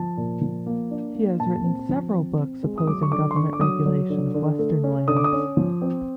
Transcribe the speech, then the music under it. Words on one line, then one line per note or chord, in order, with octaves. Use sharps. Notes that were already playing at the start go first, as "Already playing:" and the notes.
He has written several books opposing government regulation of Western lands.
Already playing: F3 A5
A#2
F3
A#3
D4
A#3
A#2 A5
C4
F3
C4
C4
G#3
D#6
F#3 D6
C#6
D3 D6
C6
D3 C#6
D6
F#3 D#6
F#3
D3
D3
A3
C#4
D3 D#6
D6
D#6
C#4
F3
C4